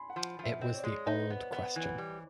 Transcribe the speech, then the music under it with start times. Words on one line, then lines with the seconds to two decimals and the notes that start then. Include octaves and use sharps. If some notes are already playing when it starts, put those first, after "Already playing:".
It was the old question.
Already playing: G#5 B5 C6
0.10 F#5
0.16 F3
0.39 F3 E5
0.61 C4 D#5
0.74 C#5
0.78 D5
0.84 G#3
0.96 C#5
1.07 D#4
1.13 B4
1.22 C5
1.30 B3 B4
1.53 B3
1.76 E3
1.98 G3